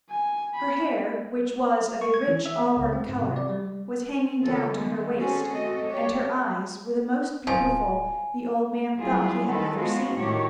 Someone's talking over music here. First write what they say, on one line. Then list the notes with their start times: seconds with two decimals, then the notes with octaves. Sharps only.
Her hair, which was of a rich auburn colour, was hanging down to her waist, and her eyes were the most beautiful the old man thought he had ever seen.
0.10 G#5
0.55 B5
2.01 C#6
2.14 G#6
2.27 E3
2.46 E5
2.59 B3
2.77 C#2
2.93 C4
3.08 G#2
3.20 C3
3.36 D5
3.49 G3
4.41 C#3 E3 F4 A4 A#4
4.72 D3 D#3 G3 G#3 B3
5.17 C4 C#4 F#4 G#4 A4
5.49 A3 C4 F#4 A4 D#5
5.86 D4 G4 C#5
7.47 D1 F3 G#5
8.98 F#3 G3 A3 E4 F4 G#4
9.47 D#3 A4 B4
9.77 F3 G#3 B3 D#4 F4 F#4
10.14 A2 D#3 A3 F#4 G4 C#5